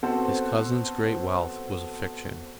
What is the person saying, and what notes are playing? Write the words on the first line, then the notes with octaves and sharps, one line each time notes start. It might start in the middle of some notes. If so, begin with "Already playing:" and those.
His cousin's great wealth was a fiction.
B3 C4 F#4 A4 B4 C5